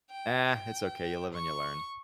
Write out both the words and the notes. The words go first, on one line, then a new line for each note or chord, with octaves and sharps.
Ah, it's okay, you live and you learn.
G5
C#6